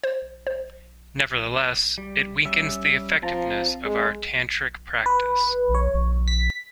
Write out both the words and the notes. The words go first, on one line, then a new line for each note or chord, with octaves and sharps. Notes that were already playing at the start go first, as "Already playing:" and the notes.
Nevertheless, it weakens the effectiveness of our tantric practice.
C5
C5
G3
G3 C#4 E5
F3 C4 A5 A#5
G#3
B4
C#5
B6